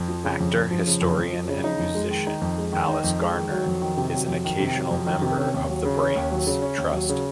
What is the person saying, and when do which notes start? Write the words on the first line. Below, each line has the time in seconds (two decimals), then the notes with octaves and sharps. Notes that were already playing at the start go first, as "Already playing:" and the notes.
Actor, historian and musician Alice Garner is an occasional member of the Brains Trust.
Already playing: F2
0.08 F3
0.24 C#3
0.40 F2
0.56 F2
0.71 F3
0.86 C#3
1.01 F2
1.18 F2
1.33 F3
1.49 C#3
1.64 D#4
1.80 F2
1.95 G#3
2.11 D#3
2.27 D#4
2.42 F2
2.58 G#3
2.72 D#3
2.88 D#4
3.04 F2
3.19 G#3
3.35 D#3
3.51 F#3
3.66 F2
3.81 D#3
3.98 C3
4.14 F#3
4.28 F2
4.45 D#3
4.60 C3
4.75 F#3
4.91 F2
5.07 D#3
5.22 C3
5.37 C#4
5.54 D#2
5.69 F#3
5.85 C#3
6.00 C#4
6.16 D#2
6.31 F#3
6.47 C#3
6.62 C#4
6.78 D#2
6.93 F#3
7.09 C#3